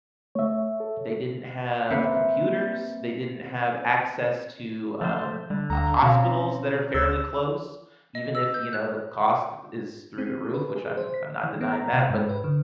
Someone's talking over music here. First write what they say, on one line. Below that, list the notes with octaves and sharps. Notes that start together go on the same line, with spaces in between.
they didn't have computers, they didn't have access to, um, uh, hospitals that are fairly close, even if, you know, the cost is through the roof, which I'm I'm not denying that, but
A3 C#5 E5
A4
A#3 C4 B4 C5 E5 F#5
F3 A3 C5
D3 G3
D2 A4 F5 A#5
B2 C4 C#4 F#4 F5 F#5
D2 C5 D5 E6
D#5
E6
G6
F#6
C4
B4
G#4
C5
B6
E3
B3
A#5
C3
G#2
B4
D3